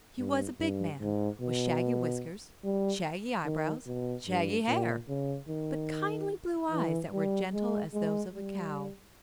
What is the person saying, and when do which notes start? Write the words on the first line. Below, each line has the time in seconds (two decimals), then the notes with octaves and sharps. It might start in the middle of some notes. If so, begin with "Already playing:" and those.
He was a big man, with shaggy whiskers, shaggy eyebrows, shaggy hair--but kindly blue eyes that were gentle as those of a cow.
0.18 G2
0.60 G2
1.01 G#2
1.41 B2
2.64 G3
3.45 D#3
3.86 B2
4.27 G2
4.67 A#2
5.08 C#3
5.48 D#3
6.71 E3
7.12 G3
7.53 G#3
7.94 G#3
8.34 G3